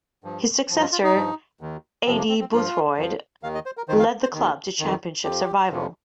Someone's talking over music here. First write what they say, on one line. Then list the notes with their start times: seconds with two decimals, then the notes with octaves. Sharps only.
His successor, Aidy Boothroyd, led the club to Championship survival.
0.24 G2 F3
0.70 G2 F3
0.81 F4
0.92 F4
1.04 D#4
1.15 G2 F3
1.61 D#2 D#3
2.06 F2 C3 F3 C4
2.18 A#3
2.29 C4
2.40 C4
2.52 G2 F3 F4
2.97 F2 F3
3.43 D#2 D#3 F5
3.55 D#5
3.66 C5
3.77 A#4
3.88 D#3 C5
3.92 F2
3.99 F5
4.22 C5
4.33 D#2 D#3
4.79 F2 D#3
5.24 F2 F3 G4
5.71 F2 C3 F3